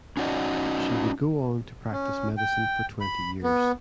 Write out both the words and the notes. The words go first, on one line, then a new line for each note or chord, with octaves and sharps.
She would go on to practice medicine for twenty years.
C#4 D#4 F#4 A4 D5 D#5
C#4
G5
B5
B3